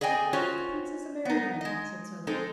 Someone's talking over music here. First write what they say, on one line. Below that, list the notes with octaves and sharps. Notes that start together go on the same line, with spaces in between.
"I don't think the prince is a married man," said Sophy.
G#4 D5 D#5 G5 G#5
C#4 F4 F#4 C5 C#5
B3 D#4
G#3 D#5
G#3 C4 D#4 A4